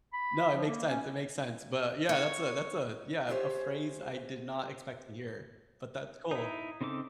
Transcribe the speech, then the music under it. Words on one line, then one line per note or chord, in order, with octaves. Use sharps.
No it makes sense, it makes sense, but, yeah, that's a that's a Yeah, a phrase I did not expect to hear, but that's cool.
B5
F3
A#3
C#4
C#5
F4 G4 G#4 C5 C#5 E5
D#4 E4
C#3 C4 D#4 A4 D6